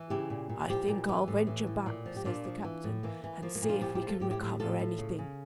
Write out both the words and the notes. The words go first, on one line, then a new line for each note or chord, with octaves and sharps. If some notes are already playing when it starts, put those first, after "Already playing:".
"I think I'll venture back," says the captain, "and see if we can recover anything."
Already playing: E3
C#3 E4 G4
A#2
A#2
F3 E4 G4
A#2
E3
A2
E3
A2
A#2
F3
G4
A#2 D4 F4
F3
E3
A2
E3 A#3
E3
F3 A#3
A#3
A#2
D4 F4
F3 E4 G4
E4 G4
F3
F4 A4
A2 E4 G4
E4 G4
A2
A2 F4 A4
A2
C#3
C#3